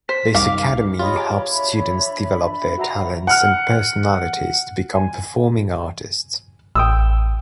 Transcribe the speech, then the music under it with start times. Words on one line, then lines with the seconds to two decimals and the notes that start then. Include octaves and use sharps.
This academy helps students develop their talents and personalities to become performing artist.
0.09 C5 B6
0.35 C2 F#2 D#3 G3 F5 D6
0.99 F4 G4 C#5 D#5 B5
1.16 G#4 A#5 D6
1.50 D4 E5 B5
2.78 F#4 D5 E5 F5 A#5 B5
3.27 F#5 F6
4.95 G#5
6.75 A1 G5 D#6 E6